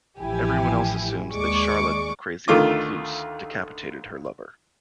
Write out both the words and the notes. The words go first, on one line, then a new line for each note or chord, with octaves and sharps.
Everyone else assumes that Charlotte, the crazy recluse, decapitated her lover.
A1 E3 F3 E4 G4 G#5
D#2 G#3 D5 C#6 D6
D2 D#3 A3 F4 D6